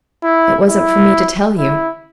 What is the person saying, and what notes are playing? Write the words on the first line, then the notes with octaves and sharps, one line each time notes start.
"It wasn't for me to tell you."
E4
E4
E4